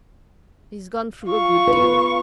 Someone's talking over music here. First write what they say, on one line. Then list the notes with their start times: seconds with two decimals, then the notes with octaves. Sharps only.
He's gone through a good deal.
1.26 F4 C#6
1.68 B4